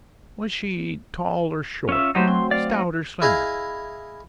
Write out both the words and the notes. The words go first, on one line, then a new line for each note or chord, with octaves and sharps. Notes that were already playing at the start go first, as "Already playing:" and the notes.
"Was she tall or short, stout or slender?"
C#4 F4 E5
F#3 A3 D#4 G4 C5
C4 C6
D5 F5
D#4
E4 G#4 D#5 F5